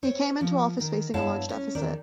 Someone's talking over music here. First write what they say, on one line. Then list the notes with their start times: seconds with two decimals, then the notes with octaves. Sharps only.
He came into office facing a large deficit.
0.03 C4 C#5
0.41 F3
0.80 D#3
1.14 G2 B3 E4 C#5 F5 A5
1.49 C#4
1.75 E2 D#3 D5